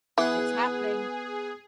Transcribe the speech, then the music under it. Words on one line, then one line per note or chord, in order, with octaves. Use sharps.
It's happening.
E3 B3 G#4 F#5